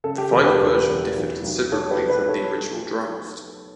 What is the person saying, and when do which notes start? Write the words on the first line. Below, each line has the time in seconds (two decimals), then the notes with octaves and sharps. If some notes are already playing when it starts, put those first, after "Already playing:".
The final version differed considerably from the original draft.
0.04 C#3 A4
0.18 G4
0.32 E1 A4
0.46 G4 B4
0.60 E2
0.88 E2
1.16 B1
1.44 B1
1.72 B1 A4 C#5
1.91 G4 B4
2.00 B1
2.10 G4 B4
2.28 A4 C#5